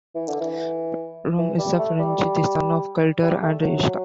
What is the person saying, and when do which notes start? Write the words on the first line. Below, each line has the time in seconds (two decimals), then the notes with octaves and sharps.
Rom is a Ferengi, the son of Keldar and Ishka.
0.15 E3
0.28 D3
0.41 E3
1.38 E3
1.58 G3
1.79 A3
1.99 G3
3.22 G3
3.42 A3
3.63 F#3